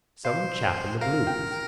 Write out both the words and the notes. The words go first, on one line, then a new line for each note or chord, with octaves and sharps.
Some chap in the blues.
C5 F5
A#4 F5
G5